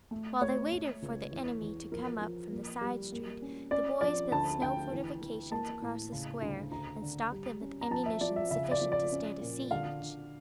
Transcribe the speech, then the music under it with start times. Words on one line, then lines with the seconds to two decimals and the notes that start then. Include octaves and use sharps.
While they waited for the enemy to come up from the side street, the boys built snow fortifications across the Square and stocked them with ammunition sufficient to stand a siege.
0.11 A3
0.41 A3 C#5
0.72 A3
1.02 C#2
1.31 E2
1.62 E2
1.92 F3 A#4
2.22 F3
2.51 A#3
2.81 G3
3.12 A#3
3.42 C#4
3.71 C#4 D5
4.01 F3 D5
4.31 D2 A5
4.61 D2 G5
4.91 E3
5.22 E3
5.51 A#3 A5
5.82 A2
6.12 C#3
6.42 D2
6.72 D2 A#5
7.02 D3
7.32 G3
7.61 C#4
7.81 A#5
7.91 F3 A5
8.06 E5
8.21 F3 D5
8.36 E5
8.51 C#3 E5
8.71 D5
8.81 F3
8.92 D5
9.12 C#4
9.41 A#2
9.71 D3 F5
10.01 D3